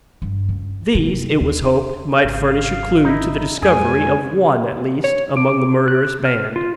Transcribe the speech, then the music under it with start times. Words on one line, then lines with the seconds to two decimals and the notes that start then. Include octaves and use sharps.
These, it was hoped, might furnish a clew to the discovery of one at least among the murderous band.
0.22 G2
0.49 C#2
0.95 C3
1.41 D#2
2.25 G#1 F5
3.04 D#4 E4
3.62 F2 G#3 G#4 G#5
5.04 C#5
5.37 D6
5.88 F#6
6.25 F6
6.56 F4